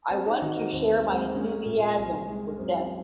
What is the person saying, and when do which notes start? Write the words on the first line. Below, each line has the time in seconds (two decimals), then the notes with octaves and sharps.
I want to share my enthusiasm with them.
0.11 A#3 C4
0.26 C4 D#4
0.41 D#3 D#4 F#4
0.57 F#4 A#4
0.72 D#2 C4
0.94 C4
1.04 G#3 A#3
1.14 C4
1.35 G#3 A#3 C#4
1.66 A#2
1.97 C2
2.27 G#3
2.58 F#2 C4